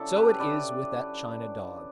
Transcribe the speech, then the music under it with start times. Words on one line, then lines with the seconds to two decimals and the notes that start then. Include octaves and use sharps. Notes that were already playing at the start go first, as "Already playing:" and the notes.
So it is with that china dog.
Already playing: C#3 F#3 D4 E4 A4
0.16 G4 B4
0.40 B4 D5